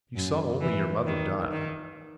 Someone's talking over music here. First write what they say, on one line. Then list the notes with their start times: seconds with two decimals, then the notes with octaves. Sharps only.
You saw only your mother die.
0.16 F#2
0.61 E3
1.06 D#3
1.51 D#3